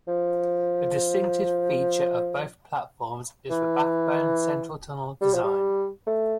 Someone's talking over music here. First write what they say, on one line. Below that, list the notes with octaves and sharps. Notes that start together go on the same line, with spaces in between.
The distinctive feature of both platforms is the backbone central-tunnel design.
F3
E3
G3
F3
G3
A3